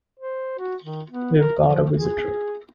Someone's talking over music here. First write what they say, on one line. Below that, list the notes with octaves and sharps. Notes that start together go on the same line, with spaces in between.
We've got a visitor!
C5
F#4
D#3
B3
A#4
F3
G#4